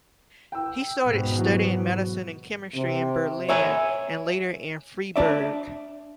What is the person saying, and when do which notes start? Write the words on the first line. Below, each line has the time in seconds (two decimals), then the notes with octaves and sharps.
He started studying medicine and chemistry in Berlin and later in Freiburg.
0.52 G5 E6
1.04 G#2 B2 B3
1.37 E3 F#3
2.75 C3
3.49 C#5 E5 G#5
5.16 D4 D5 E5